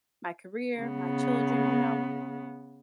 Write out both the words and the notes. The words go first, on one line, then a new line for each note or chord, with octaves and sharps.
my career, my children, you know?
C#3 B3